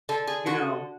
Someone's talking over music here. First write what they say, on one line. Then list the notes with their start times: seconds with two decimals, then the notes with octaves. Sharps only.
you know.
0.09 D3 A4
0.27 G#4
0.46 D3 F#4